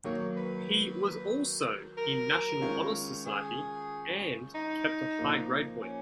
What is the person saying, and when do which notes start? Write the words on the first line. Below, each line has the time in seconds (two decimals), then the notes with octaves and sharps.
He was also in National Honor Society and kept a high grade point.
0.04 D#3 F#3 A#3 C#5
0.37 B4
1.97 A#4
2.61 D#3 G#3 C#4 F4
3.26 G#4
4.55 D#4
5.19 A#2 F3 A#3
5.82 C#4